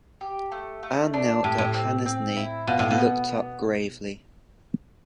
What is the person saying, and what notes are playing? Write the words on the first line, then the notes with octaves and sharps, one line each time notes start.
Anne knelt at Hana’s knee and looked up gravely.
G4
A3
A3
D4
A2 G4
A2
C4
C4
E4
B2 F4
A2
B2
B3
B3